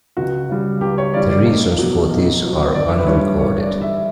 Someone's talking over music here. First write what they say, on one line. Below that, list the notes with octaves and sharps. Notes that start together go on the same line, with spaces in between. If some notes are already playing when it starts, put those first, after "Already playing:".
The reasons for this are unrecorded.
C#2 F#4
C#3 G3
C#2 G4
C#5
C#3 G3 D5
D5
B1
B2 F#3
B1
B2 F#3
G1 D5
E5
B4
G2 E3 G3 C#5
G1 C#5
D5
G2 E3 G3
E5